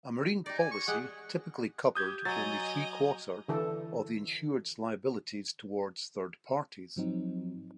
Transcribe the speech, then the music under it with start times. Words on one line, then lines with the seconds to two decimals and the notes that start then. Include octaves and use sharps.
A marine policy typically covered only three-quarter of the insured's liabilities towards third parties.
0.46 D#4 G4 D5
0.58 G#5
0.72 C#6
0.88 G#3 G4 G#4 F#5
1.95 G4 D#6 G6 G#6
2.25 F#3 D#5 G#5 A#5 A6
3.48 D3 E3 A4
6.96 G#2 F3 F#3 C4 D#4